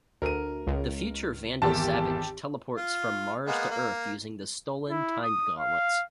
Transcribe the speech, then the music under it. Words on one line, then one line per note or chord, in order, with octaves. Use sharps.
The future Vandal Savage teleports from Mars to Earth using the stolen Time-Gauntlets.
D2 A#4 D#7
C#2
G#1 E2 G4 A5
F4
G#3 A#3 B3
A#3
E4
D#6
F5